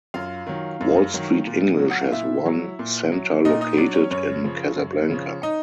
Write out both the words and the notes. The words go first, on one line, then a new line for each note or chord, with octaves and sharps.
Wall Street English has one center located in Casablanca.
F#2 F4 F5
D#3 F#3
F#2
D#3 F#3
A#2
F#3
F#5
F5
A#2 E4 E5
F#3
A#2
F#3
A#2 D#4 D#5
D#4 D#5
F#3 D4 D5
C#4 C#5
F#2 C#4 C#5
C#3 F3
F#2
C#3 F3
D#4 D#5